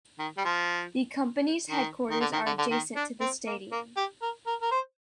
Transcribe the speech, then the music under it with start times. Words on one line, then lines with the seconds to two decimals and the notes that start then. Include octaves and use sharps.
The company's headquarters are adjacent to the stadium.
0.19 D#3
0.37 G3
0.45 F3
1.70 D#3
2.10 D#3
2.21 D3
2.33 D#3
2.46 D3
2.58 D3
2.71 D#3
2.96 D4
3.21 C4
3.46 A#3
3.71 A#3
3.96 G4
4.22 A#4
4.46 A#4
4.62 A#4
4.71 C5